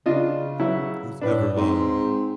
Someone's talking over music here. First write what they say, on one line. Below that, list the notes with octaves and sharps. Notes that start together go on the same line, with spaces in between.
who's ever um,
C#3 D4 F4 D#5
F#3 E4
A2 D4 B4
G#2 C4